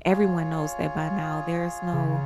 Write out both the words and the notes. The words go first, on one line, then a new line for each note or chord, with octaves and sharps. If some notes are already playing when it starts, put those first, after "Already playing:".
everyone knows that by now, there is no
F4 G#4 C#5
C#3